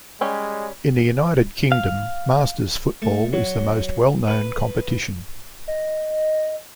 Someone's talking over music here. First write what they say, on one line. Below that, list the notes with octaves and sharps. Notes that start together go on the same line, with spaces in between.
In the United Kingdom, Masters Football is the most well-known competition.
G3 G#3 C#4 G4
F5
A3
F#3
B4
D#5